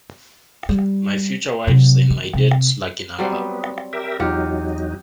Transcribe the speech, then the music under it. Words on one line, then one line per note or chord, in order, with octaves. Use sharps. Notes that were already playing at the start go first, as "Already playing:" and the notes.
My future wife's and my dad's lucky number.
G3
C3 F#3
D#3
C3
F#3 G3 C4 D5 F#5 C6
B3
G4 A#4 E5
E2 F#3 D#4 F4 G4 F#5